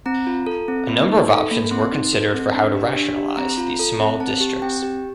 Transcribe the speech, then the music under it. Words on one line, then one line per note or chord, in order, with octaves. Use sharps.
A number of options were considered for how to rationalise these small districts.
C4 A#5
F4
A4
C4
A#3
D#4
A4
A#3
C4 C6
D#4
A4
C4
D4
G4
D4
G4
C4 A#5
F4
A4
C4
C4 A5
G4
C4 G5
G4